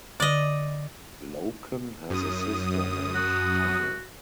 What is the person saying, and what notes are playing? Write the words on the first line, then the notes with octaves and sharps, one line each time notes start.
Loken has a sister named Tanya.
D3 D5 D#5
F#2 D#6
F#4